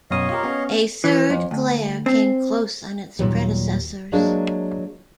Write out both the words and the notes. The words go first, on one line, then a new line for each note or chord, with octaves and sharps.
A third glare came close on its predecessors.
F#2 B2 C#5 D#5 F5 D#6
F4 G4 A#4
B3 C#4
E3
F2
D2
C4
D#2 A#2 F#3 G3
F#3 G#3 A#3 D4